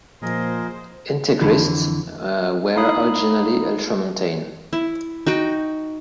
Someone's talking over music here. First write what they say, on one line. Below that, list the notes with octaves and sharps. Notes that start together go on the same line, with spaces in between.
Integrists were originally ultramontane.
A#2 F3 G#4 A#4 C5 D#5
F2 D3 E3
D#4 E4 F5 B5 D#6
E4
D#4 F#4 G5